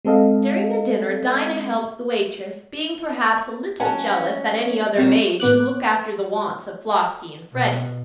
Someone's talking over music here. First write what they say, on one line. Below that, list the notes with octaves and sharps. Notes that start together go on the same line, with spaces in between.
During the dinner, Dinah helped the waitress, being perhaps a little jealous that any other maid should look after the wants of Flossie and Freddie.
G#3 C4 A4 D#5 F5
F#3 C#4 F#5 G#5 A5
A#2 F#3 C4
A1 B3 D6 F#6
B2